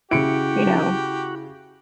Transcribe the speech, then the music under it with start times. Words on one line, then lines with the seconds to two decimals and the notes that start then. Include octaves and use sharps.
you know?
0.11 C#3 E4 F#4 G4 C#7 D7